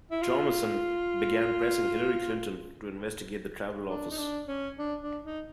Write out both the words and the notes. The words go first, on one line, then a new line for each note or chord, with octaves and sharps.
Thomason began pressing Hillary Clinton to investigate the travel office.
E4
F4
D4
D#4
D4
C#4
D4
D4
D#4